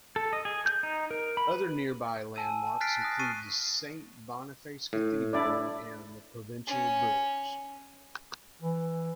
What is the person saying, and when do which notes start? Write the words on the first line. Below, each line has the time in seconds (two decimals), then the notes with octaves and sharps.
Other nearby landmarks include the Saint Boniface Cathedral and the Provencher Bridge.
0.16 A4
0.33 D#5
0.45 G#4
0.66 G6
0.83 D#4
1.11 A#4
1.37 B5
1.52 B4
2.36 G#5 A5 E6 D#7
2.67 A5
2.81 F6 F#6 A6 B6 C7 D7
3.01 D#6 F6 F#6 A#6
3.19 C#6 F6 A6 C7 D#7
4.93 A2
5.33 D4 E4 D5
6.67 C#4
8.62 E3